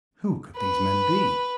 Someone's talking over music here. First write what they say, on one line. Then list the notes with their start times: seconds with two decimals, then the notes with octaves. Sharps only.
Who could these men be?
0.57 B4